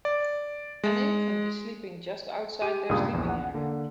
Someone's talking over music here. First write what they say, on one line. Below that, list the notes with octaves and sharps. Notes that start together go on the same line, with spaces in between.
An infant is sleeping just outside their sleeping area.
D5
G#3
G4 D#7
C#2 G2 A#2 G#4 D#6
A#1 E2
F#5
D3 A#3